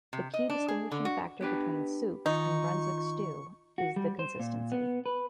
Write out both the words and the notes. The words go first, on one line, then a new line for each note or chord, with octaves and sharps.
The key distinguishing factor between soup and Brunswick stew is the consistency.
C3
D#5
D4
G#4
D3
F#4
B3 D4 G4 B4
D#3 D#4 F4 C#6
F#4
G3
C5
A#2
B3
B4